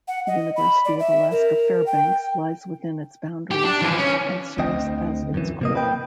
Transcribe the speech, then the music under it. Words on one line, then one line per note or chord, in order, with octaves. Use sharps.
The University of Alaska Fairbanks lies within its boundaries and serves as its core.
F#5
D#5
B5
D5
E5
A#4
G5
G4
D4
E3 F3
C#4
D2 C4 D#5 G5
F#2 E3
C3 A#3 D#5
A#3 B4 G5